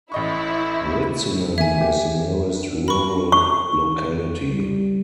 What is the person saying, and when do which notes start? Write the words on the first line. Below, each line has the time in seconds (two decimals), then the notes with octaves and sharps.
Gritsinin is the nearest rural locality.
0.12 A1 E4 D#5 C#6
1.58 D#3 A#3 E5 G#5 G#6
1.81 G4
2.54 D4
2.88 A#4 B4 B5 C#6
3.32 C#6
4.52 G3